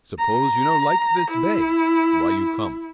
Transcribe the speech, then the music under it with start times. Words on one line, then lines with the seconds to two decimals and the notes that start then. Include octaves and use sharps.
Suppose you no like this bay, why you come?
0.19 A#5
1.31 E4